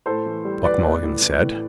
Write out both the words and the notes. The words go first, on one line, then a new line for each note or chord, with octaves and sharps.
Buck Mulligan said.
A2 A4 C5
E3
G3
E3 B4 D5
A2
A2
E3
A2